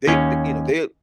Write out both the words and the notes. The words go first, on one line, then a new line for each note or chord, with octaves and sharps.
they th you know, they
D#2 C#4